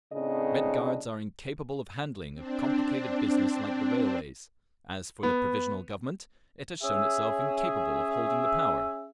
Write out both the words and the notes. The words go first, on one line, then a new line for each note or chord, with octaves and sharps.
Red Guards are incapable of handling a complicated business like the railways; as for the Provisional Government, it has shown itself incapable of holding the power...
A2 C#3 C4 D4 D#5
C4 D4
B3
C#4 G#4 E5